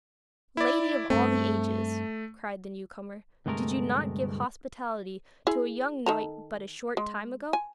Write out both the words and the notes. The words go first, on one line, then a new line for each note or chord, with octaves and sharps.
'Lady of all the ages,' cried the new comer, 'did you not give hospitality to a young knight but a short time ago?'
E4 D5
G2 A3 C4
D2 G2 C3 G#3 A3 A#4
E4 G#4
D#3 A4 A#5
G#3
G#5